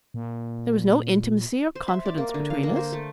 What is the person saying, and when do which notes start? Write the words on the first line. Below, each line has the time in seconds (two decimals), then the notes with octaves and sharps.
There was no intimacy or confidence between us.
0.14 A#2
1.75 C5
1.88 E5
2.06 D5
2.18 A#3
2.34 D3
2.50 F5
2.63 A#3
2.76 C5
2.93 A3